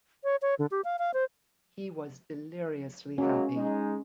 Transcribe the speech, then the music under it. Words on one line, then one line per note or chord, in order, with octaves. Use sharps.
He was deliriously happy.
C#5
C#5
D3
G4
F5
F5
C5
F#3 G#3 A#3 C#4
G#3 D#4